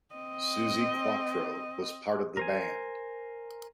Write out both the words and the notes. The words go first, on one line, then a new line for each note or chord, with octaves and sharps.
Suzi Quatro was part of the band.
C4 D#5
A#4 C5 G#5